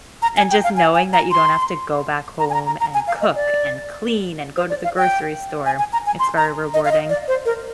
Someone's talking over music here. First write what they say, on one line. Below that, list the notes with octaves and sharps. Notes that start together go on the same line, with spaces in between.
And just knowing that you don't have to go back home and cook and clean and go to the grocery store. It's very rewarding.
A#5
G#5
G5
F5
G#5
G#5
A#5
C6
A#5
G#5
A#5
A#5
A#5
G#5
F5
D#5
D5
C5
D5
F5
G5
G#5
G#5
A#5
G#5
C6
A#5
D#5
F5
D#5
D5
C5
A#4